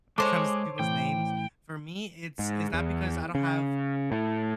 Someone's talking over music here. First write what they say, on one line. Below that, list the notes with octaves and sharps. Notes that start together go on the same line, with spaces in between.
when it comes to people's names. For me, it's it's not because I don't have,
G#3 A4 C5 C#5 D6
A2 E3 G5
G#2
E2
C#3
A2